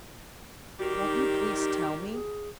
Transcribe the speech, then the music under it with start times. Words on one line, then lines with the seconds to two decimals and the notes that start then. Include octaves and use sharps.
"Won't you please tell me?"
0.80 D#3 G3 F#4 G4
1.01 D#4
2.11 G#4